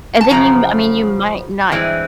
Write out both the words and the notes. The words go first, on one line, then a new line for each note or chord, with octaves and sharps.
and then you m I mean, you might not
A5
F#2 C#3 F3 A#5
G2 E3 G#3 C4